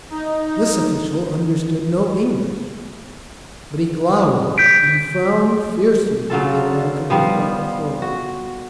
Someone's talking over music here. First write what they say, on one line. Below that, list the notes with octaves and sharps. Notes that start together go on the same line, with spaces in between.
This official understood no English, but he glowered and frowned fiercely when the American was brought before him.
D#4
D#4
G6 B6 D7
C#3 F#3 F4 A4
F3 G3 B3 F4
F#4